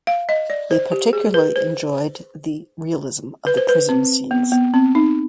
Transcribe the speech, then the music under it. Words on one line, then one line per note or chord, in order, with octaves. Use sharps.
They particularly enjoyed the realism of the prison scenes.
F5
D#5
D5
C5
G4
G#4
B4
C5
B4
C5
B4
C4
B3
B3
C4
D#4